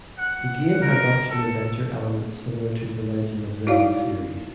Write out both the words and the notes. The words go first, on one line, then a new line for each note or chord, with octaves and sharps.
The game has action adventure elements similar to The Legend of Zelda series.
F#5
A#4
A4
D#4 E4 F#4 C#5 D5 F5